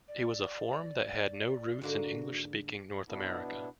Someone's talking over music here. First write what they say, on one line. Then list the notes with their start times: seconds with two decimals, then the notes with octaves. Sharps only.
It was a form that had no roots in English-speaking North America.
0.08 D5
1.81 G#2 D3 A#3 F#4
3.08 B2 B3 D4 E4